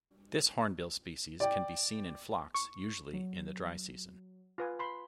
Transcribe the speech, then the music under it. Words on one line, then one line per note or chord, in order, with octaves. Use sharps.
This hornbill species can be seen in flocks, usually in the dry season.
D5 G5
C#6
F#3
F4 B4 G#5
B5 C6